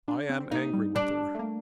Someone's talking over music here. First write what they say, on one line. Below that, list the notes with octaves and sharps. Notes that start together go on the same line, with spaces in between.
I am angry with her.'
D4
C4
C4
A#3 D#4
G3
G3 D4
A3
A#3